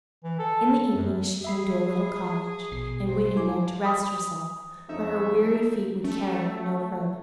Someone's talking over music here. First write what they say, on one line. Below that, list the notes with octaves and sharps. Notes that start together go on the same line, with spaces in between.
In the evening she came to a little cottage, and went in there to rest herself, for her weary feet would carry her no further.
E3
A4
F#2
G#4 E5 B5 C7
A#1 B2 C7
G2 C5
E4 G#5 D6
D#6
F2 C#3 A3 D#4 E5
A3 C#4